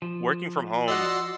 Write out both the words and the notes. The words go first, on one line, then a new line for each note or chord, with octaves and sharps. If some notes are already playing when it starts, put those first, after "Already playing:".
working from home
F3
F#4 D5 D#5 F#5 C6 E6